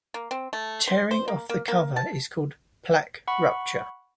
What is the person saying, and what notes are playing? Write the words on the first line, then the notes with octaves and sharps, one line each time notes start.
Tearing of the cover is called "plaque rupture".
A#3
C4
A3
C5
C5
A#3
A#3
A#3
A5
F#5 B5 C#6